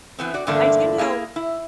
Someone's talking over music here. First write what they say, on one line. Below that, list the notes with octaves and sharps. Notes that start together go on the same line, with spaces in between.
I do know
E3 B3 C4
F#4 D5
E2 G2 D3 A3 A#3 D4
A#3 E4 G#4 F5
E4